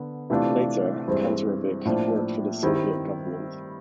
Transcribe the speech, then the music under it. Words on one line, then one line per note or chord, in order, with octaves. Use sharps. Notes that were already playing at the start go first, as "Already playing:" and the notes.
Later, Kantorovich worked for the Soviet government.
Already playing: D3 B3
C3 E3 A3 D4 F4
G2 E3 G#3 C4
A2 F3 A#3 D4
G2 D#3 G3 C4 E4